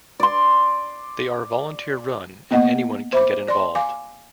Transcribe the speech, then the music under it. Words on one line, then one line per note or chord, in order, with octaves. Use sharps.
They are volunteer-run, and anyone can get involved.
D5 C6
A#3 B3 D#5 F#5
C5 E5 B5 D6
D5 C6
F5 G#5 D6